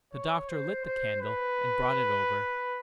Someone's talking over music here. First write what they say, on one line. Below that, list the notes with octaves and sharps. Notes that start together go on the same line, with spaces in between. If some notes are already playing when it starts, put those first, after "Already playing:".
The doctor lit the candle and brought it over.
C#5
C5
C5
B4